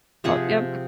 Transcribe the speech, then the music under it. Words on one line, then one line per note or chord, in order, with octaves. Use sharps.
But, yep.
C3 F3 G#4 F#5